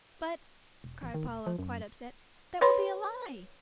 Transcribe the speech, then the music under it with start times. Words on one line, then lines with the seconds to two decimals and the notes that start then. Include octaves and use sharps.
"But," cried Paula, quite upset, "that would be a lie!"
0.84 E1
1.03 A1
1.14 D#3
1.27 E1
1.46 F3
1.59 F#2
2.61 B4 C#5 B5 C6